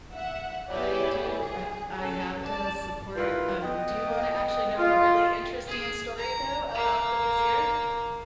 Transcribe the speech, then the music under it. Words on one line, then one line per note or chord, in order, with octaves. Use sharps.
I do. I ha I have to support, um, do you wanna actually know a really interesting story though about the brazier?
E5 F#5
B3 E4 G4 G#4 C#5 D5
G#4
C#4 A4
D5 A5
D#3 E4 F4 B4
B3 A4 D#5 G5
F4
G#4
A#5
A#3